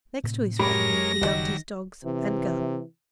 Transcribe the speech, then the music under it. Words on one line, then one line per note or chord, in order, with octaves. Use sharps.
Next to his family he loved his dogs and gun.
A2 C3 C4
F#2 G#3 G4 A#4 C#5 B5 A#6
F#1 D2 D#3 F#3 G3
C3 E3